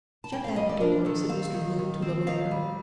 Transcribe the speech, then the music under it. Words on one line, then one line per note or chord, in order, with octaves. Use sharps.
"Shut that door," said Mr. Bloom to the lawyer.
A5
G3 G5
F5
G3 D#5
D5
A4
D4 A#4
D#3 A4
C4 F5
D#3
D#3
C4
D#3 F5
G3